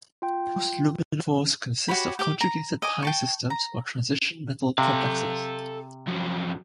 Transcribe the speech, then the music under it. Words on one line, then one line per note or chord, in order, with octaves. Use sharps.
Most luminophores consist of conjugated pi systems or transition metal complexes.
F4 G5
F#4 G4 C#5 B5
G4 G5 D6
A#5
D#5 G#5 D6
G5 A5 C#6
A#5
C3 A4 F5
F2 F#3